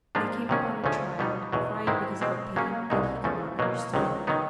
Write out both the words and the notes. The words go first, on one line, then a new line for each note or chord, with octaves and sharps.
They came upon a child crying because of a pain that he could not understand.
G#2 F3 A#3 D4 F4
C3 D#3 F#3 A#3 C#4
D2 C#3 F3 A3 C#4
B2 G3 B3 D#4
E2 B2 F#3
G#2 D#3 G#3 C4 E4
B2 G#3 C4
C#3 F#3 A#3 C#4
C2 B2 G#3 C4 D#4
E2 C#3 F3 A3
B2 F#3 A#3
C#2 C3 D#3 F#3
D#3 F#3 B3 D#4